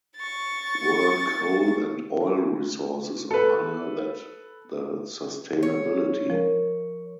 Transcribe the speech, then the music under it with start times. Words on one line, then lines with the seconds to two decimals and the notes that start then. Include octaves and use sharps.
World coal and oil resources are higher that the sustainability.
0.18 C#6 A6
3.31 A4 B4
5.63 C#5
6.30 F3 A#4